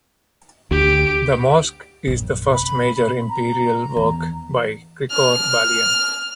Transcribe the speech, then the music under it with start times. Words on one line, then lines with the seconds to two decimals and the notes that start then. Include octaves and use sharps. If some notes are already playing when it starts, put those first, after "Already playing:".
The mosque is the first major imperial work by Krikor Balian.
0.71 D2 G4 D7
2.07 A#1 F#2
2.53 C3 B5
3.30 A#5
3.97 E2
5.11 F6